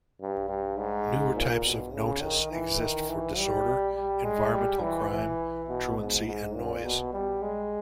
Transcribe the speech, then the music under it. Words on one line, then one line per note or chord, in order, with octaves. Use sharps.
Newer types of notice exist for disorder, environmental crime, truancy and noise.
G2
G2
G#2
A#2
B2
C#3
D#3
E3
D#3
E3
G3
G3
G#3
G3
E3
E3
B2
G#2
G#2
A#2
B2
G3
G#3